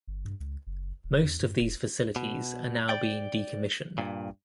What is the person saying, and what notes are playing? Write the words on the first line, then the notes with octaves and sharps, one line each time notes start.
Most of these facilities are now being decommissioned.
G1
G2
C#2
F#1
D#1
E2
G2
E1
B2
D5 G5
G2 A#2